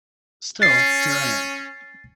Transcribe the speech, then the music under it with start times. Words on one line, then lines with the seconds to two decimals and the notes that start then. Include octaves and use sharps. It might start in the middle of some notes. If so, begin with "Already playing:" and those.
Still, here I am.
0.62 C#4 A6 C7